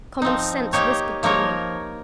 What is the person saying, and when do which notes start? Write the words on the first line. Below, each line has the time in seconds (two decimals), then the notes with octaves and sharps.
Common sense whispered to me.
0.22 F3 C4 D#4
0.73 A#3 D#4 G4 C#5
1.23 F3 A#3 D#4 A#4 C#5